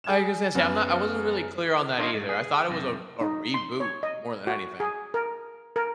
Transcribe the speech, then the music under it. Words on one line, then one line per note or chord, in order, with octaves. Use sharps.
Like I said, see I'm not I wasn't really clear on that either, I thought it was a a reboot more than anything.
G#4 G#6 E7
F#2 B3
D4 D#4 F4 F#4 C#5 D#5
G#2
G#4
F#2 C3
D#4
C6
C#5
D#5
F#4
G#4
A#4
A#4